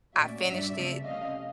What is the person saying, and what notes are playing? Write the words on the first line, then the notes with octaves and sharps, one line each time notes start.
I finished it,
A#2 F#3 A3 C#4 D5 E5
G2 D3 F#3 D5 E5
C#3 F3 A3 C4
C3 F3 A3 C#4 D#5 F5